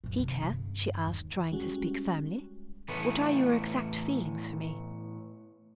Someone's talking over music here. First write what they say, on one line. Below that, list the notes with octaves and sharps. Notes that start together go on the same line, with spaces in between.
'Peter,' she asked, trying to speak firmly, 'what are your exact feelings for me?'
F#2 A#2
C3 D#3
G2 D3
D#2
G3 G#3 C#4 F#4
A2 E3 A3 B3